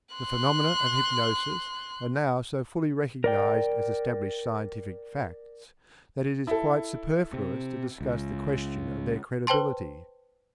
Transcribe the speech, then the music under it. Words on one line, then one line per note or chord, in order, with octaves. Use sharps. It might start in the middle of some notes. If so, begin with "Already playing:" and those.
The phenomena of hypnosis are now so fully recognized as established scientific facts that it is quite superfluous to discuss the question of their credibility.
C6 F#6
A#4 D5 G5
E4 A4
C3
C#2
B4 C5 G5 A5 C6